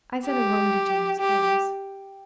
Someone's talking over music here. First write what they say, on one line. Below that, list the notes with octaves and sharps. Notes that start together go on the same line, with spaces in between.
I sent him home to change his clothes...
G4
G4